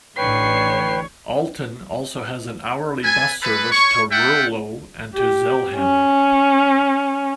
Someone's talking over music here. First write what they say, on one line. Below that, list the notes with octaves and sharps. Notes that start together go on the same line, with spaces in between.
Aalten also has an hourly bus service to Ruurlo and to Zelhem.
A1 D3 E3 B4 C#5 G5 C7
A4 B4 G#5
G#4 A4 B4
C#5 C#6
A3 F4 E5 F#5 G5
G4
C#4